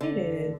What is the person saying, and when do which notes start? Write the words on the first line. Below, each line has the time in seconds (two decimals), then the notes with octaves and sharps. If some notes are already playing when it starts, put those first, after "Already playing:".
It is.
0.01 D3